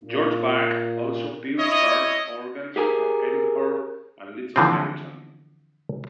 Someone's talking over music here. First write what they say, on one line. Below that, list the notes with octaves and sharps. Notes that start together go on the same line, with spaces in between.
George Buck also built church organs for Edingthorpe and Little Melton.
A#2
E4 C#5 D#5
G4 G#4 A#4 G#5
D3 E3 F3 G3 C4